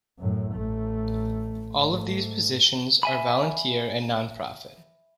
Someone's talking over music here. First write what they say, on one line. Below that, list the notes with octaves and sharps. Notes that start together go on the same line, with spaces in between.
All of these positions are volunteer and nonprofit.
F#2 A2
A1 A3
G#2 A3
E5 G#5 B5